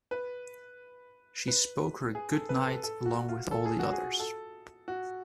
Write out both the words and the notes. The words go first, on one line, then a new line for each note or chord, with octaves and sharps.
She spoke her good-night along with all the others.
B4
B4
G#4
A4
B4
A4
A4
F#4
F4
A4
G#4
F#4
G#4
A4
F#4